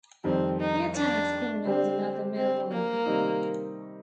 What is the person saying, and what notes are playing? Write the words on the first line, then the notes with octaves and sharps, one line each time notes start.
He attacks criminals and other malevolent people.
F2 D#3 G3 C4
D#4
D4
D3 G3 C4 D4 G4 C5
C4
A#3
C3 D#3 G3 C4 D#4